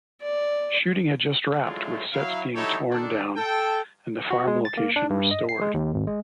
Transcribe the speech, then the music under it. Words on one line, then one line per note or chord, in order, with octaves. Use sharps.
Shooting had just wrapped with sets being torn down and the farm location restored.
D5
F#3 G#3 A3 D4 E4 F4
F#3 E4 F5
F#3 D#4 E4 G4 A4 C#5
D#3 D4 A4
A4 G5
F#4
G#3
A6
A#3
D4
G2
D#5
C7
G#3
D#2
G#1
G#3